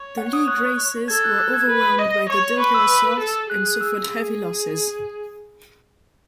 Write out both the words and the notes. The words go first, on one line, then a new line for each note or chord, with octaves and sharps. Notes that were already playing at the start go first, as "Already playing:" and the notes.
The League races were overwhelmed by the Dilgar assault and suffered heavy losses.
Already playing: C#5
F#5
D#6
F#6
A4 G#6
F#6
F#6
G#6
B4
D#5
C#5 C#6
B4 C#6
E6
A4
G#4 F#6
E6
G#4